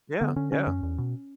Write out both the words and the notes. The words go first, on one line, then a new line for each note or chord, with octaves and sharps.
Yeah, yeah.
D3 B3
D3 C#4
D3 C#4
F#2 C#4
E2
B2